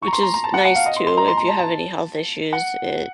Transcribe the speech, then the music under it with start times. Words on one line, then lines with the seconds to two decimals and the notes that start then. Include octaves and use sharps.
Which is nice, too, if you have any health issues. It
0.02 C#6
0.08 A#5
0.13 C6
0.23 A#5
0.34 A#5
0.44 A5
0.54 F#5
0.65 F#5
0.75 F5
0.86 D#5
0.96 C6
1.07 C6
1.17 A#5
1.28 C6
1.37 A#5
1.49 A5
1.59 A5
2.53 F#5